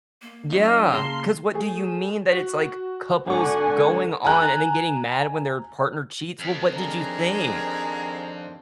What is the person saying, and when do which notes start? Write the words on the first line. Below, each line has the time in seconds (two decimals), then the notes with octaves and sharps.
Yeah, 'cause what do you mean that it's, like, couples going on and then getting mad when their partner cheats? Well, what did you think?
0.22 A#3
0.53 F#3 C#4 D#4 F4
0.92 C#3 A#3 F5 A5 A#5 C6
1.54 A3 G#4
2.32 F#4
3.27 G#1 D3 F#5 G#5 C#6
4.25 G#5 A#5 F#6
6.39 F2
6.75 D#2 C4 D4 G#4 A#4